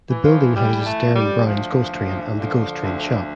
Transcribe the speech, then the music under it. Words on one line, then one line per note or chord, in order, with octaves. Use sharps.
The building houses "Derren Brown's Ghost Train" and The Ghost Train Shop.
E3
F3
E3 G3
A3
F2 F3
G3
D2 F3
D2
D3 F3
D2